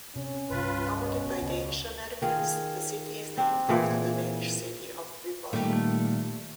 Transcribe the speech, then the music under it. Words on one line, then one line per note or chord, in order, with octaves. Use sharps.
Founded by Danish-Americans, the city is named after the Danish city of Viborg.
C3 C#4
G1 C2 F4 B4
B2
C#2
D#3 F4 G#4
C4 D4
A#2 E3 G#4
A#2 D#3 G3 A3 G4